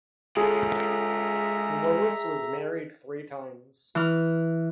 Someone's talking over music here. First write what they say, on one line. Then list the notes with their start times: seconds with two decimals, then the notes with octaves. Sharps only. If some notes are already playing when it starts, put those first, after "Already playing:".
Lewis was married three times.
0.37 G#3 F4 G#4 A4 E5 A#5
3.95 E3 F6